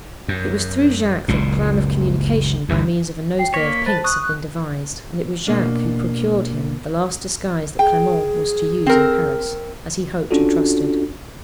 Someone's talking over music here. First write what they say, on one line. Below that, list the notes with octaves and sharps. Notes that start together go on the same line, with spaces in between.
It was through Jacques that the plan of communication, by means of a nosegay of pinks, had been devised; and it was Jacques who procured him the last disguise that Clement was to use in Paris--as he hoped and trusted.
F#2
F#1 C#2 A#2
G1 D#2
G5 C7
A#3 C#5 A#6 B6
B4 C5 A5 A6
C#6 D#6 F#6
F#6
B2 A#3 D4
G#4 G5
C4 A#4
C#4 D4 F4 F#4 A4